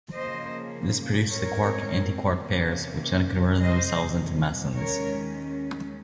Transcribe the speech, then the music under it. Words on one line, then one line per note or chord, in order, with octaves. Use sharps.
This produced the quark-antiquark pairs, which then converted themselves into mesons.
C#3 F3 A#3 C5 D#5
G#2 G3 C4 A#4 C#5
C3 D#3 A#3 C#4
F2 C3 G3 C5 D#5
D#2 D#3 G#3 C#4 A#4 C#5